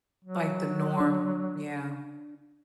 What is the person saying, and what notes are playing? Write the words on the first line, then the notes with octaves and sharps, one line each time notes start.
Like the norm. Yeah.
F#3
D4